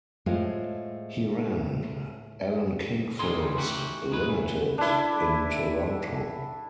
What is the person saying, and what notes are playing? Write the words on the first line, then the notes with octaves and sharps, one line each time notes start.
He ran Allan King Films Limited in Toronto.
A2 G#3 C4 F4
G3 D#4 G#4 C6
A2 D#3 E3 F#4 G4
D#3 G#3 B4
A2 E3
D4 E4